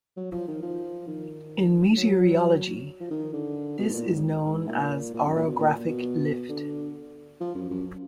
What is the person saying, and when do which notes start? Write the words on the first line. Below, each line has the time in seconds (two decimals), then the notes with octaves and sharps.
In meteorology this is known as orographic lift.
0.16 F#3
0.32 F3
0.48 D#3
0.62 F3
1.07 D#3
1.97 F#3
3.00 F3
3.10 D#3
3.33 D3
3.79 B2
3.89 G#2
3.93 A#2
4.08 G#2
4.46 G#2
4.69 A#2
5.14 A#2
5.25 F#2
5.36 A#2
5.47 B2
5.58 A#2
5.75 A#2
5.88 B2
6.49 D3
7.40 F3
7.55 F#2
7.70 F#2